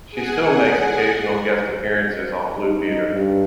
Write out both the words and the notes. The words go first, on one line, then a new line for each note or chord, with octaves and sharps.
She still makes occasional guest appearances on "Blue Peter".
G#4 F#5 G#5
D#4
G2